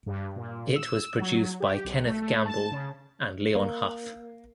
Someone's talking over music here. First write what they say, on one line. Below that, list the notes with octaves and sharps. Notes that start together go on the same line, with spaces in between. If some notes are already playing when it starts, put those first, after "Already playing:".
It was produced by Kenneth Gamble and Leon Huff.
G2
A#2
E6
F#3
G4
B1
A3
A3
A5
C#3
A#3